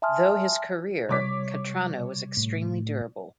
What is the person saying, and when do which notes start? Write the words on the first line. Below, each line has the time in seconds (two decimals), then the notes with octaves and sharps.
Though his career, Cattrano was extremely durable.
0.02 E5 G#5 A5 C6 D#6 F6
1.09 C3 G3 C#5 D6 B6
2.37 A2